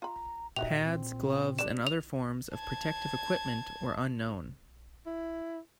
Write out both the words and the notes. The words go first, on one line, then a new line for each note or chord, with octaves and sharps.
Pads, gloves and other forms of protective equipment were unknown.
F4 A#5 B5
A#2 D#4 F#4 G4 E5 F7
C4
G3 D4 D5 E7
F7
A5 G#6
E4